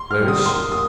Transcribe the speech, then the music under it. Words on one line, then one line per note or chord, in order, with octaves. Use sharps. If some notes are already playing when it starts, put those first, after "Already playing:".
"Where is she?"
Already playing: C6
F6
G3
D#6
A#3 C6
D#6